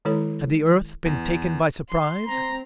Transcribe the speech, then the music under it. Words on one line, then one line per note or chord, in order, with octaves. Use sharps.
Had the Earth been taken by surprise?
D#3 G#3 E4 A4 C#5 B5
E2
C6
C4 A#5